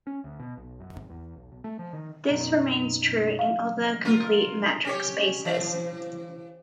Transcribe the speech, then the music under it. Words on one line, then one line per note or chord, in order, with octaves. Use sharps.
This remains true in other complete metric spaces.
C#4
D2
B2
B1
F#2
G#1
E2
B1
B1
A3
F3
D#3
F#2 B2 D#4
F5
F4 A#4
C#4 G4 C#5
E3